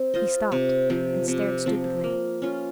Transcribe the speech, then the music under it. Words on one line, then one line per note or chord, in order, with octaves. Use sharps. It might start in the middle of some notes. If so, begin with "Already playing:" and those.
He stopped and stared stupidly.
Already playing: C4
F4 C5 D#5
C3
F3 C4
C3
F3 C4
A#3
C#4 F4